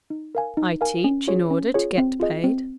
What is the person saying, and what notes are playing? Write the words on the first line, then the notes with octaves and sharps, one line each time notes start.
'I teach in order to get paid.'
D#4
A#4 F5 G#5
D#4
A#4 F5 G#5
C#4
F4 G#4 C#5
C#4
F4 G#4 C#5
C4
F4 G#4 D#5
C4